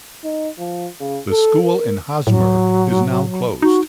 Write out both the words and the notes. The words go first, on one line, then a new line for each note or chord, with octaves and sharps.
The school in Hosmer is now closed.
D#4
F3
C#3
A4
A#4
A2 F#3
D#4 F#4